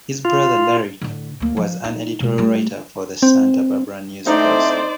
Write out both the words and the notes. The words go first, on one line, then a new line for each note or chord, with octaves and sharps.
His brother, Larry, was an editorial writer for the "Santa Barbara News-Press".
F4
A2 D3
D2 A#3
F3
D#4
B2 G#3
G3 A3
C4
A2 D3 A3 C4 D#4 C5 D5